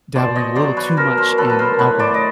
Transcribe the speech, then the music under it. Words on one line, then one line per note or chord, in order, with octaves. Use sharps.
dabbling a little too much in alcohol.
B2 C5 D5
C#5 D#5
F#3 C5 D5
B4 C#5
B2 A#4 C5
A#4 C5
F#3 A4 B4
B4
A#4 C5
A2 B4 C#5
C5 D5
D#5